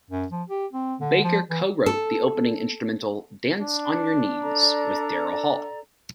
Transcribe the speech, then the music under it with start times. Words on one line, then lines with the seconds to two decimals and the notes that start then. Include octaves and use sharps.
Baker co-wrote the opening instrumental, "Dance On Your Knees," with Daryl Hall.
0.10 F#2
0.31 F3
0.49 G4
0.73 C4
1.00 D3
1.24 F3
1.50 E3
1.86 A4
3.59 D4
4.43 A4 D5 A#5